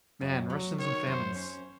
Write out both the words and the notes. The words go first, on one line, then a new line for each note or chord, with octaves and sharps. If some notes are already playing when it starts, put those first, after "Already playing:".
man, Russians and famines.
F#2
F#3
D#3 C#5
F#2 C5
C#4